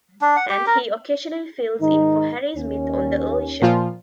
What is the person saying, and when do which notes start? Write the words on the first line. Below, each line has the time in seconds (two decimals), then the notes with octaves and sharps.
And he occasionally fills in for Harry Smith on The Early Show.
0.22 D4
0.36 F#5
0.50 G4
0.67 A#4
1.81 G#2 D#3 D#4
2.56 D#2 C#4
3.62 A#2 F3 F4